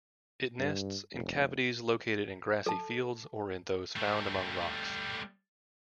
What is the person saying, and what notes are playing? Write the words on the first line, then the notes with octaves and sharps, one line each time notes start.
It nests in cavities located in grassy fields or in those found among rocks.
G2
F1
A4 A5
G3 A3